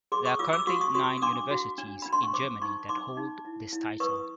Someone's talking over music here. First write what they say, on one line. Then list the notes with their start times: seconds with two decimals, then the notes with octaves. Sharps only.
There are currently nine universities in Germany that hold this title.
0.12 G#4 C6 D6
0.25 C#6 D#6
0.39 F4 D6 E6
0.53 D6 E6
0.67 F#4 C#6 D#6
0.81 C#6 D#6
0.95 F#4 C#6 D#6
1.18 D#6
1.22 D4 C6 D6
1.51 F#4
1.78 D4
2.02 D4 B5
2.13 C6
2.23 C#6
2.34 C5 C6 D6
2.61 D#4 B5 C#6
2.89 D#4 C6 D6
3.17 D#4
3.45 E4
3.73 E4
4.00 B4 C#6 D#6